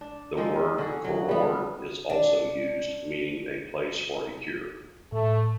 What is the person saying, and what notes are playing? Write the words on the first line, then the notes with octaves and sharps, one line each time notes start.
The word "Kurort" is also used, meaning a place for a cure.
D4
F3 G#3 C4 D#4
D3 F#4 G#4
F#3
G3 B3
D4
A2 A3